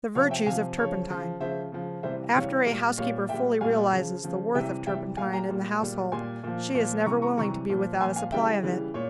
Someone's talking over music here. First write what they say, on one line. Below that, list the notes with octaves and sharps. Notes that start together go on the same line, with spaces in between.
The Virtues of Turpentine.--After a housekeeper fully realizes the worth of turpentine in the household, she is never willing to be without a supply of it.
C3 F3 C#5 F5
E5 G5
C3 F5 G#5
F3
C#3 F3 C#5
C#3 F3
C#3 F3 C5 E5
C#3 F3
C3 E3 G3 C5 E5
C3 E3 G3 C#5 F5
A#2 G3
A#2 G3 C#5 F5
A#2 E5 G5
G3
A#2 G3 F5 G#5
C#3 F3
C#3 F3
C3 E3 G3 E5 G5
C3 E3 G3 E5 G5
A#2 G3 F5 G#5
G5 A#5
A#2 G3
A#2 G3
A#2 G3 G#5 C6
A#2 F3
A#2 F3
C3 E3 G3 A#5 C#6
A#5 C#6
C3 E3 G3 A#5 C#6
A#2 F3
A#2 F3 G#5 C6
F5 G#5
C#3 E3 G3 E5 G5
C#3 E3 G3
A#2 C#5